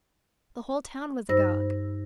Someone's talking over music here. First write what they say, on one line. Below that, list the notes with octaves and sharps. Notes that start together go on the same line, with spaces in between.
The whole town was agog.
G2 D#4 C5 E6 A#6